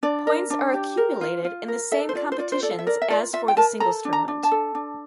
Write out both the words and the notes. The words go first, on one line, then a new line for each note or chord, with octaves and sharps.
Points are accumulated in the same competitions as for the Singles tournament.
D4 D5
A#4
D4
G4
A#4
F4
F4
A#4
A4 E5
C5
F4 D5
C5
F4 D5
C5
A4 D5
F5
E5
A#4 D5
E5
F4 D5
F4 E5
G5
A#4 A5
A4 A#5
D4
A#5
D4
A5
A4
D4